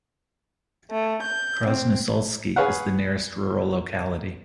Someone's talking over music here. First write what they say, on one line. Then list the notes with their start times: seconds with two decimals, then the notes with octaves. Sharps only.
Krasnousolsky is the nearest rural locality.
0.90 A3
1.22 G6
1.66 C4
2.56 G#4 B4 C#5 F5 F#5